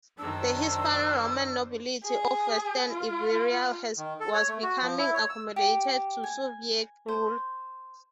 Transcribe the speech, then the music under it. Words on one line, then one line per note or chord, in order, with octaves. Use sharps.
The Hispano-Roman nobility of western Iberia was becoming accommodated to Suevic rule.
F#2 D#3 D4 C5 A5 E6
G#4
F4
D#3
A4
C#5
A3
F#4
F3
E4
C#5
E6
G4
G#5
C5